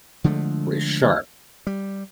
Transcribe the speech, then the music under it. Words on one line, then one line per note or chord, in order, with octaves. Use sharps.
very sharp.
D3 F3 G#3 A3
G3